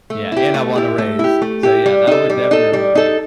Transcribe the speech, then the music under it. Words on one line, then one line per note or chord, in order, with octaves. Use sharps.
yeah, and I want a raise, so, yeah, that would definitely be,
A3
E4 G4
A3
E4 G4
A3
E4 G4
A3
E4 G4
G3
D#4 A4
G3
D#4 A4
G3
D#4 A4